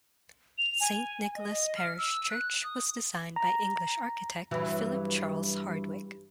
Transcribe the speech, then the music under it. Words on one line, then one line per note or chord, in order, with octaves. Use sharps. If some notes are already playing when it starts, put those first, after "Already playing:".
Saint Nicholas Parish Church was designed by English architect Philip Charles Hardwick.
F7
G#5
D#5
F6
E6
F#6
D#6
A#5
G2 E3 F#3